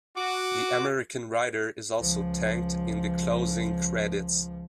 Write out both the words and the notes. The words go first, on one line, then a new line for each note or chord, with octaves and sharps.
The American writer is also thanked in the closing credits.
F#4 D6
C#2 F3